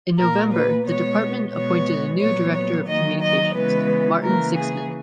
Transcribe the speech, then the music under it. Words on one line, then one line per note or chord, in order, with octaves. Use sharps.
In November the department appointed a new Director of Communications, Martin Sixsmith.
A#2 A#3 A#4
B4
B2 G#3 B3 C#5
B2 G#3 B3 C#5
A#2 F#3 B3 C#5
C#5
D#3 F#3 A#3 D#5
D#5
C#3 E3 G#3 B3 B4
C#3 E3 A#3 A#4
G#4